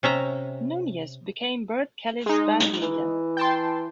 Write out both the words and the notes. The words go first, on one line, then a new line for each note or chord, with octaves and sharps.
Nunez became Bert Kelly's bandleader.
C3 C#4 E5 A#5
G#3 D#4
E3
G5 A5 C6